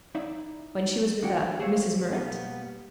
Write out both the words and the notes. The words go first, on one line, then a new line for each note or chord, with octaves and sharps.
"When she was with a Mrs. Murrett?"
D#4 E4 D5 E5
D3 A#3 F#4 G5
G4 G#4 C5 C#5 E5 F5
B2 G3 A#3 B3